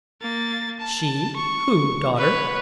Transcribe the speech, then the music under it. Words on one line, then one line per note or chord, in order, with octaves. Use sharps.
"She? who, daughter?"
A#3 A6
A5
C#6
B4 C#5